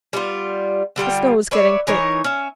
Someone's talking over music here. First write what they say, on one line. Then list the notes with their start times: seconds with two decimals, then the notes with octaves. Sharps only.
The snow was getting thick.
0.13 G3 B3 E4 F4
0.96 D3 G3 F4 G5
1.51 B4 C#5 D5 E5
1.87 E3 D#4 A#4 C#5
2.24 C#4 E5